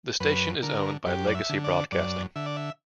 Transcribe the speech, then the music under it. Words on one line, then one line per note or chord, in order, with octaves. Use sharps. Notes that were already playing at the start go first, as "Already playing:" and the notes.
The station is owned by Legacy Broadcasting.
F#2 B4
D3 A#4
F#2 G4
D5
E5
D3
D5
F#2 D5
D3 E5
D5
E5